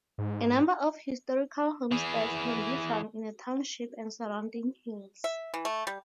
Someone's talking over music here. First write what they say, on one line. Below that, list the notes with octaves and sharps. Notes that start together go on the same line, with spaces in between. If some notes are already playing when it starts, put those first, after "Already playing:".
A number of historical homesteads can be found in the township and surrounding hills.
G#2
E3 G#4
E5
E3
A3
G3